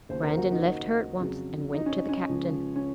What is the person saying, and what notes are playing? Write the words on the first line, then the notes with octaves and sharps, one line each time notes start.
Brandon left her at once and went to the captain.
D#2 C#3 F3 C5
A#4
F#4
D#4
F2 C#3 F#3
D#4
C#4
C#4
C#2 C#3 F3
C#4